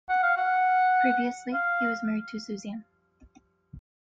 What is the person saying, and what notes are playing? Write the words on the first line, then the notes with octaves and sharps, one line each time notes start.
Previously, he was married to Suzanne.
F#5
F5
F#5
F5